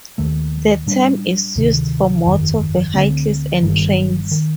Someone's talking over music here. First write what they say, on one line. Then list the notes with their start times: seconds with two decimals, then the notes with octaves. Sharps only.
The term is used for motor vehicles and trains.
0.18 D#2 D#3 A3
0.86 A2 G3 D4
1.56 D2 C3 D#3
2.25 G1 F2 D#3
2.94 D2 D3 A3 C4
3.63 G1 G2 D#3
4.31 D#3